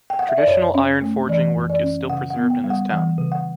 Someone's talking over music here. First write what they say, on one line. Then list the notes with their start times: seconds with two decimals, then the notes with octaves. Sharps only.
Traditional iron forging work is still preserved in this town.
0.10 G5
0.19 F#5
0.29 E5
0.38 D5
0.47 F#2 C#5
0.75 C#4
1.02 A3
1.28 E3 D5
1.56 F#2
1.70 D5
1.83 C#4
2.10 C#3 F#5
2.30 F#5
2.37 B3
2.50 G5
2.64 G3
2.70 F#5
2.90 E3 F#5
3.18 C#3
3.32 F#5